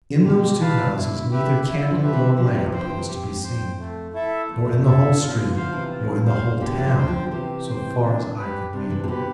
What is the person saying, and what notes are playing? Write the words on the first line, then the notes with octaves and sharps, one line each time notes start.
In those two houses neither candle nor lamp was to be seen; nor in the whole street; nor in the whole town, so far as eye could reach.
C3
B2 D3 G4
B4 F5 A5
E4
G4 B4 E5
E4
D3 F3
G4 B4 E5
C3 E3
D3 F3 G4
C3 E3
D3 F3 C5 G5
C3 E3
F2 G4
C5 G5
A3
E4 A4 E5
E2 A3
E2
F2
E4 A4 E5
A2
B2 F4
B2 D3
D3 F3 C5 F5
C3 E3
F4
C5 F5
B2 D3 G4
E3
D3 F3
C5 G5
D3 F3
D3
C3 E3 G4
C5 G5
D4
G4 B4
C3 D4
C3 E3
C3
B2 D3 G4 B4